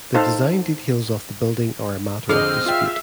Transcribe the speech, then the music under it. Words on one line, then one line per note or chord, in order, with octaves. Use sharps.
The design details of the building are a matter of dispute.
D#4 A4 C5 F5
F2 D3 C4 G#4 D#5 F6
F4 E5 F5 G5